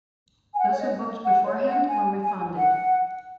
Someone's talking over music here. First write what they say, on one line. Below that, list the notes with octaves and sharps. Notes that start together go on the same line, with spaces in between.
Those who booked beforehand were refunded.
G#5
F#5
C#5
D#5
F#5
C#5
F#5
G#5
G#5
F#5